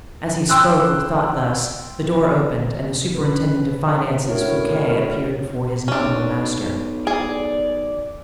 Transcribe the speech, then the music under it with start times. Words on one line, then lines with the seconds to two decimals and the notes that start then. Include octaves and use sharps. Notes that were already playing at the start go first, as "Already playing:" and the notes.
As he spoke or thought thus, the door opened, and the superintendent of finances, Fouquet, appeared before his nominal master.
0.49 G5 C6 E6 F#6
3.15 C#3 B4
4.27 A2 D4 F#4 A#4 C#5
5.88 B1 C#4 D4
7.07 G#4 D5